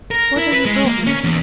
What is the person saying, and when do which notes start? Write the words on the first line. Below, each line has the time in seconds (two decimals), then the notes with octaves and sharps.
What have you brought me?'
0.11 A#4
0.37 E4
0.52 B4
0.65 G#3
0.85 A#3
1.07 C#4
1.24 E2